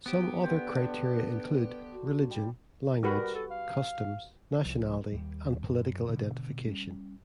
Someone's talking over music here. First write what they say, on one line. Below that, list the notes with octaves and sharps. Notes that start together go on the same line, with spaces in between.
Some other criteria include: "religion, language, 'customs,' nationality, and political identification".
B3 G4 C5
D3 B4 C5 G5
D4
F#4
G3
G3 F#4 A#4 B4
A4
F5
C2 F3
D#2 G3
F#2
B2 D3
G3 C#4